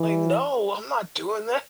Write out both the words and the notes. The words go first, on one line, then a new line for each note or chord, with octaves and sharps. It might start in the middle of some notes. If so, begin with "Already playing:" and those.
Like, "No, I'm not doing that."
Already playing: E3